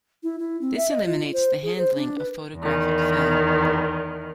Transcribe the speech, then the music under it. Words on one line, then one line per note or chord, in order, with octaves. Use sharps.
This eliminates the handling of photographic film.
E4
E4
C4
E5
D#5
F4
C5
G#4
C5
D4
B4
E2 D#3